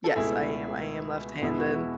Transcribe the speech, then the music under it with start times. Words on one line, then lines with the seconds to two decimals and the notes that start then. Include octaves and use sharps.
Yes, I am, I am left-handed,
0.04 A4
0.16 C#2 B2 A3 E4 G#4
1.42 E2 B2 G#3 B3 E4
1.58 F#4
1.74 E4